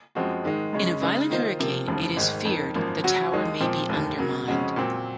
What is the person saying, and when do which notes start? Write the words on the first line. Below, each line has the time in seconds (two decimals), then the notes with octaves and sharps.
In a violent hurricane, it is feared, the tower may be undermined.
0.15 F#2 F3 G#3 C4 F#4
0.44 G#2 D#3 G#3
0.73 F#2 C#3 G#3 C#4
1.01 C#3 G#3 D#4
1.30 D#3 A#3 F4 C5 D#5
1.59 C3 F3 A#3
1.87 F1 D#2 C#3 F3
2.16 G#1 G#2 D#3
2.45 F2 D#3 A#3
2.75 G#1 F#2 F3 A#3
3.03 C#3 F#3 C#4 F#4
3.32 D#2 D#3 G#3 D#4
3.60 A#2 F3 C4
3.89 F1 D#2 D#3
4.18 C#3 F#3 A#3
4.47 F2 C#3 G#3 C#4 F#4
4.76 A#2 F#3 C4